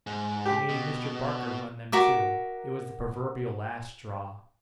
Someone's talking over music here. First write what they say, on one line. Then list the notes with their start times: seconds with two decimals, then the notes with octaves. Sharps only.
He made Mr. Barker run them too--it was the proverbial last straw.
0.07 G#2
0.46 G4
0.69 B2
1.92 F#4 A#4 E5 D6